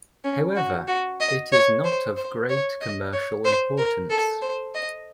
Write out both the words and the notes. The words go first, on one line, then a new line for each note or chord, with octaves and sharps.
However, it is not of great commercial importance.
C#4
F#4
F#4
D#5
C#5
C5
C5
C#5
D#5
C#5
C5
A#4
A4
C5
D#5